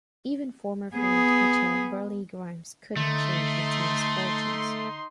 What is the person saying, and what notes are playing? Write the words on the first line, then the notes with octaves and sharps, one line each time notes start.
Even former famed pitcher Burleigh Grimes couldn't change the team's fortunes.
B3 G#4
D3 A3 D#4 C6